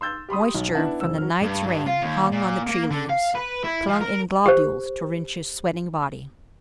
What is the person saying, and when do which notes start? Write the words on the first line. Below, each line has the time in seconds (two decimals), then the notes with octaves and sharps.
Moisture from the night's rain hung on the tree leaves, clung in globules to Rynch's sweating body.
0.01 C6 E6 G6 A6
0.29 G4 B5 C6 D#6
0.54 B1
0.74 B3 D4 E4 F#5 A5
1.00 F1 F3 E6
1.18 F#3 F6
1.42 G2
1.67 G2
1.87 F4
2.02 D#2
2.32 A#2
2.67 A#3
2.91 D3
3.09 F5
3.35 B4
3.64 E4
3.88 F3
4.01 A#4
4.46 G4 C5